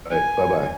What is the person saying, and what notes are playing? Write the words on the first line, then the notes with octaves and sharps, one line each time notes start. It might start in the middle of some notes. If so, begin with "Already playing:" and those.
Alright, bye-bye.
G#5